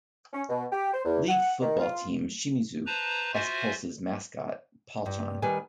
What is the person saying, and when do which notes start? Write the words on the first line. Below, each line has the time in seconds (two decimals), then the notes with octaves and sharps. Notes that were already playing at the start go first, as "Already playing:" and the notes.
League football team Shimizu S-Pulse's mascot, Palchan.
0.33 C#4
0.49 B2
0.72 G4
0.93 C5
1.05 E2
1.29 F#5
1.62 D#3
1.80 F4
2.86 B4 C5 A5 A#5
3.33 F4 F#4 C5 E5 G#5
5.06 G2
5.42 D#3 G3 B4 G#5